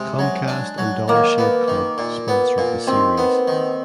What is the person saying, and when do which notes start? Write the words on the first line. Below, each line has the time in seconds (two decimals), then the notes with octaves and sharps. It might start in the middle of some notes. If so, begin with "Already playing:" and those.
Comcast and Dollar Shave Club sponsored the series.
Already playing: C3 G#3
0.19 F#3
0.48 D4
0.78 F#3
1.08 D#3 A#3
1.38 B3
1.68 D#3
1.98 A#2
2.28 B3
2.58 A#2
2.87 D#3 C4
3.18 B3
3.48 D#3